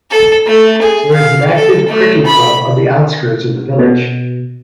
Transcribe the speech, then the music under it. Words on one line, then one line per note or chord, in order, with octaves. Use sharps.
There is an active cricket club on the outskirts of the village.
A4
A3
G#4
F5
A4
A3
B5
B2